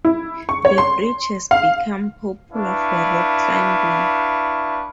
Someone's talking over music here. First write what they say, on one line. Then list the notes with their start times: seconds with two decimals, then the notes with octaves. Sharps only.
The bridge has become popular for rock climbing.
0.05 E4
0.49 C#6
0.65 C#5
0.78 C6
1.51 F5
2.53 D4 E4 B4 F5 C#6